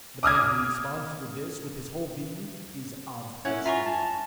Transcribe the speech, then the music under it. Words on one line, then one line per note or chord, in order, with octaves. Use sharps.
The man who responds to this with his whole being, is of the truth.
D6 D#6 F6 G#6
C#4 E4 C#5 F#5 G#6
F4 E5 G#5 A#5 C#6
A5